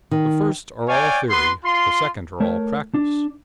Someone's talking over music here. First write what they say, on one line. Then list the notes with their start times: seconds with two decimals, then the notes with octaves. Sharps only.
The first are all theory; the second are all practice.
0.11 D#3
0.88 C#5 D5 F5 G5 G#5
1.30 B3 B4 C6
1.64 F4 C6
2.40 A3 A#4 C#5
2.94 D4